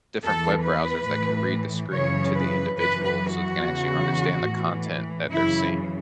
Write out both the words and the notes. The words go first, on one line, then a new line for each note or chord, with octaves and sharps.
different web browsers that can read the screen to the individual so they can actually understand the content that they're seeing.
E2 E3 A4
B4
A2
E3
F#2 C#3 E3 C#5
B4
F#2 E3 B4
B4
F#4
E2 C#3 E3
A2 E3
F#2 C#3 E3 E4